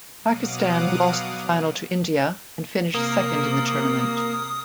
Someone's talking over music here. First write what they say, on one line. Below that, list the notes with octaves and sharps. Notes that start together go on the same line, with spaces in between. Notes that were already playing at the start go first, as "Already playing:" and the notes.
Pakistan lost the final to India and finished second in the tournament.
B2 F#3 F5 F#5 D6 D#6
C3 A#3 A#4 D#6